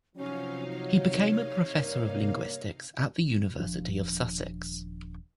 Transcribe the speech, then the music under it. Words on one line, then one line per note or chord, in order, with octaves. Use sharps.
He became a professor of linguistics at the University of Sussex.
C3 F3 F#3 C#4 D#4 F5
C#5
G2 A#3
D#1 F3 D4